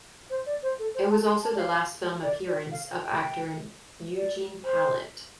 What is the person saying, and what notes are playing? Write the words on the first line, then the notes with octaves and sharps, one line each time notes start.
It was also the last film appearance of actor Eugene Pallette.
C5
D5
C5
A4
C5
A5
C6
A5
D5
F5
D5
D5
F5
G5
D5
C5